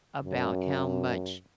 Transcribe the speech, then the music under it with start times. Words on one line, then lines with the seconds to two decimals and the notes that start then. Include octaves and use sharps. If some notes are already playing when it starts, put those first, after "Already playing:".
about how much
0.25 F#2